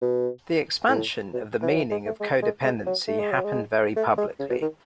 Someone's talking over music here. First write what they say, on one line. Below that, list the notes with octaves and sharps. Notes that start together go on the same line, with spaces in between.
The expansion of the meaning of codependency happened very publicly.
B2
A2
B2
E3
F#3
E3
G#3
A3
G#3
G#3
G#3
F#3
A3
G#3
F#3
G#3
A3
G#3
C#3
B2
D#3